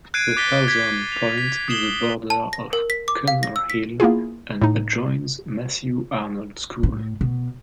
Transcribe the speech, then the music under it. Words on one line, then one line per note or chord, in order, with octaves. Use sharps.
The southern point is a border of Cumnor Hill and adjoins Matthew Arnold School.
F#6 G#6 C7 D7 D#7
D6 A6 B6 G7
G#6 B6
F7
B6
D#6 G#6 C7 E7 F#7 G7
A5
A#6
A#4
B6
D6
F5
A#6
E6
B6
A#3 B3 E4 F4 G#4
A2 D#4
A2
B2